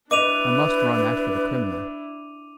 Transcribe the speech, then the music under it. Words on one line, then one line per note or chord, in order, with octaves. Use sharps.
I must run after the criminal.
D4 E4 B4 D#5 D6 D#7 F7